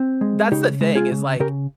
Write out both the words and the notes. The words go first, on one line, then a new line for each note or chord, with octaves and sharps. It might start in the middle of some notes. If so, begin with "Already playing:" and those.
That's the thing is, like,
Already playing: C4
G#3
C#3 D#4 G4
G#3
F4 G#4
C#3
C#3 G4 A#4